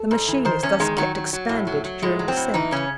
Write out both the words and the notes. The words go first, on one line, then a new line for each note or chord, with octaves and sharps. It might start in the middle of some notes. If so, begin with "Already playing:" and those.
The machine is thus kept expanded during descent.
Already playing: A4
G#2
E3
D#3 C5
E2 C#4
D#3 G#3
D#3 F#3
F#3
F#3
A2
F#3
F#3
A2 G#3
F#3
C4
A2
E3 D#4
C#3 C#4